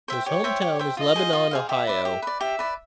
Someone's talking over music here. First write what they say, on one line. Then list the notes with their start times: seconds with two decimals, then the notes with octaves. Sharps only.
His hometown is Lebanon, Ohio.
0.08 C5 E5 G5
0.26 G4 C#5
0.44 C5 E5 G5
0.62 G4
0.79 C5 E5 G5
0.97 F4 D#5
1.16 G#4 C5 F5
1.33 F4
1.51 G#4 C5 F5
1.69 G4 E5
1.87 B4 D5
2.05 G4
2.22 B4 D5
2.40 G4 E5
2.59 B4 D5